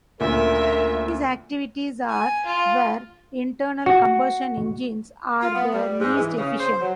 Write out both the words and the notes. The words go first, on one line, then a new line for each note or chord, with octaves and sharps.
These activities are where internal combustion engines are their least efficient.
D2 A#2 C#3 F4 A#4 E5
G#5
F4
F#4
F4
B3
G3
G#2
E3
C#3
C5
F#3